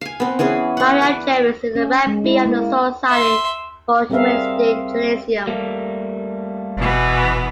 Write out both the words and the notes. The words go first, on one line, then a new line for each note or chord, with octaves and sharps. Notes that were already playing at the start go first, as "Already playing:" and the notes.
Miriam Jerris is the rabbi of the Society for Humanistic Judaism.
F5 G#5
B3 C4
E3 B3 C#4 G#4
F#5 C#6
B4 D5
C#4
G#3
E4
A#3
E5 C6
G3 C4 G#4 A#4 E5 F5
G3 A3 A#3
F#1 B2 E3 B3